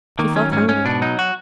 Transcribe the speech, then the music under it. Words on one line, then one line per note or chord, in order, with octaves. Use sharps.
She felt hungry.
D#3 A#3
F#3 C#4
G#2 C#4
G#2 C#4
B2 D4
F#3 D#4
F#4